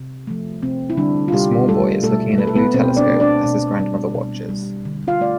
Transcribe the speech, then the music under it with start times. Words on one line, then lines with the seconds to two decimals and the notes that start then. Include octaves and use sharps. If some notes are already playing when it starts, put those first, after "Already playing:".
A small boy is looking in a blue telescope as his grandmother watches.
Already playing: C3
0.27 F3 A3
0.62 C3 C4
0.90 E4
0.97 D3 G3 D4
1.28 F4
1.33 C3 G3 G4
1.68 G3 A3 A4
2.03 B2 A3 A4
2.38 A3 B4
2.47 A4
2.55 B3 B4
2.74 B2 C4 C5
2.97 D4 D5
3.09 A3
3.20 D4 D5
3.45 B2
3.80 G3
4.14 B2
4.49 G3
4.85 D3
5.08 F4 F5
5.21 A3 D5